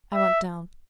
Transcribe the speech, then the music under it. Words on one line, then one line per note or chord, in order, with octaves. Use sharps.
I went down.
E5